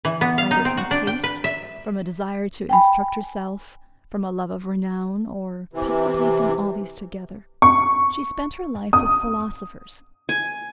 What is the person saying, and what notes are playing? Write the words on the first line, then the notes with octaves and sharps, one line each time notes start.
Either from taste, from a desire to instruct herself, from a love of renown, or possibly from all these together, she spent her life with philosophers.
E3
B3
F5
D#4
C4
F#4
D4
G5
B4
E5
G5 G#5 B5
C3 E3
C#6
D#6
G#5